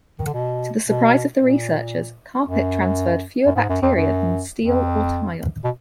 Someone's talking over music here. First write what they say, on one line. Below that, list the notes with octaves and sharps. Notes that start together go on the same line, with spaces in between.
To the surprise of the researchers, carpet transferred fewer bacteria than steel or tile.
D#3
D3
B2
B2
A#2
F#2
F#2
G#2
F#2
F2
F#2
F2
B2